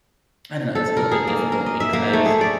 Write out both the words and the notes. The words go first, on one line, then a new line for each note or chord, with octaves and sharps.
I don't know, it's a little bit difficult because
A4
A#4
G#4
A#3
A#4
D#5
E5
A#3
A3
G#4
D5